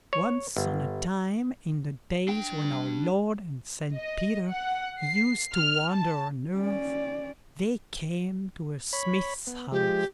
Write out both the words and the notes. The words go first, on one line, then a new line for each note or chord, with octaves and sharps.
Once on a time, in the days when our Lord and St Peter used to wander on earth, they came to a smith's house.
C#5
G1
D4 G5
D#5
F#5
C7
F6
A5
C#4 D5
C#5 B5
B3
F3 G#3 G4